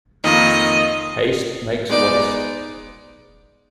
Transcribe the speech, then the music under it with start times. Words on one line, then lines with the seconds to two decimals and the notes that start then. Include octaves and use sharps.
Haste makes waste.
0.24 F2 D#3 A#3 F4 D#5
1.89 G#3 B3 D#4 D5